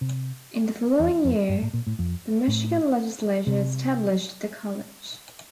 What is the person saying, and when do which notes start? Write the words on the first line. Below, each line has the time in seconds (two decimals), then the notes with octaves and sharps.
In the following year the Michigan Legislature established the college.
0.01 C3
1.00 E2
1.25 F2
1.49 G2
1.62 A2
1.74 A#2
1.87 A2
1.99 F2
2.48 A2
3.47 C3